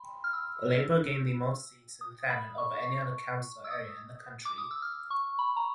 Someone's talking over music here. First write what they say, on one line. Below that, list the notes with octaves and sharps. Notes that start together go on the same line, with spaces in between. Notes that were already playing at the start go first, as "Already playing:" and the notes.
Labour gained the most seats in Thanet over any council area in the country.
Already playing: B5 C6
F6
E6
D#6
B5
C#6
E6
D#6
D6
D#6
E6
F6
C#6
B5
A#5